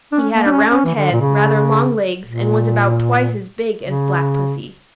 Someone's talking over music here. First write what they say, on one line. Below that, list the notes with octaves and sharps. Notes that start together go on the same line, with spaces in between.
He had a round head, rather long legs, and was about twice as big as Black Pussy.
D4
C#4
A#3
D4
C#4
C#4
E3
D3
A#2
C#3
A#2
C#3